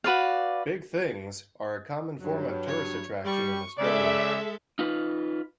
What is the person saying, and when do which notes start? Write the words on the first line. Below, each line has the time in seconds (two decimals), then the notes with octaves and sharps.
Big Things are a common form of tourist attraction in Australia.
0.04 F#4 B4 D5 F5
2.21 G2 F#3
2.66 C#5
3.25 G3 C#6
3.78 C#3 G#3 A4 D5 E5
4.79 D#4 F4 B4